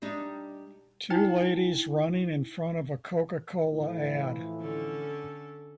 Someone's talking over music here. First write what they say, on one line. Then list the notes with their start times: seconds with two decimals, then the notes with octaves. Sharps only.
Two ladies running in front of a CocaCola ad.
0.02 G3 D4 D#4
1.10 D#4 E4 G5 G#5
3.71 A2 E3 F3
4.61 D3 C#4 A4